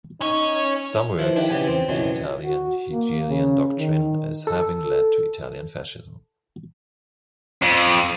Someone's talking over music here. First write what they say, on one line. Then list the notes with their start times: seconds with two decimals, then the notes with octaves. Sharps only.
Some works see the Italian Hegelian doctrine as having led to Italian Fascism.
0.21 C#4 D#4 C#5
1.18 F3 A#3 E4 B4
1.36 D#3 D4 E4 G4
1.48 C#3 E3 B3 G4 G#5 B5
1.67 C4
1.89 C#2 F#2 B2 E3 F#3
2.44 F#4
2.92 A#3
3.29 C#3
3.78 D#3
4.47 A4
7.62 F2